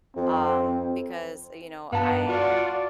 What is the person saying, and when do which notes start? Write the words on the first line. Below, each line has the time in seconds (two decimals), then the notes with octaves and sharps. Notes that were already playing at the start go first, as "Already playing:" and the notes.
um, because, uh, you know, I
0.16 F2 C4
1.92 G2 B3 F5 A5
2.29 F4 F#4 D5